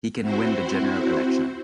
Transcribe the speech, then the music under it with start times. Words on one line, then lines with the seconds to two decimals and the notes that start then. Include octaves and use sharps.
He can win the general election.
0.22 C4 E4 F#4 C5